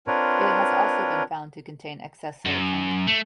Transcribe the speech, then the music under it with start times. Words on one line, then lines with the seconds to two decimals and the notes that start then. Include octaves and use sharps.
It has also been found to contain excess silicon.
0.07 C4 D4 F4 A#4 B4 C#5
2.45 F#2
3.07 A3